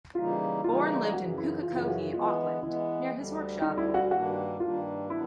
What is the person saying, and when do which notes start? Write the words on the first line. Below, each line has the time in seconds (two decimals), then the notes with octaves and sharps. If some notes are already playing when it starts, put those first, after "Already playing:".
Bourne lived in Pukekohe, Auckland, near his workshop.
0.15 C#3 E3 G3 A#3 D#4 F4
0.64 C#3 E3 G3 A#3 D#4 F4
1.14 F#2 C#3 E3 F#4
1.38 E4
1.63 F#2 C#3 E3 F4
1.76 F4
1.88 F#4
2.13 E3 G#3 B3 F4
2.62 E3 G#3 B3 E4
3.12 D2 D3 G3
3.61 D2 D3 G3 D#4
3.78 E4
3.94 F#4
4.11 G2 D#3 G3 A#3 D4 F#4
4.60 G2 D#3 G3 A#3 D4 F4
5.09 D#3 F#3 B3 D4 E4